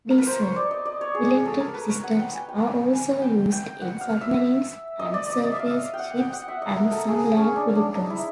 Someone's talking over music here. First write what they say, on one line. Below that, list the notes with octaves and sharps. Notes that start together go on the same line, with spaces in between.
Diesel-electric systems are also used in submarines and surface ships and some land vehicles.
A#4
B4
C5
C#5
D5
D#5
D5
C#5
G#4
G#4
A4
A#4
B4
C#5
F#5
G5
G#5
G5
G#5
G5
G5
F#5
F5
E5
D#5
D5
D5
D#5
E5
F5
F5
G5
F#5
G5
F#5
E5
D#5
A#4
A4
G#4
C#4
D4
D4
D#4
E4